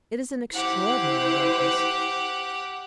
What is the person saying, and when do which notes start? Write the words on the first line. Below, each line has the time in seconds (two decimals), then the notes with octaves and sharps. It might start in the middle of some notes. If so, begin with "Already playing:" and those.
It is an extraordinary likeness.
0.53 E4 G4 C5 F#5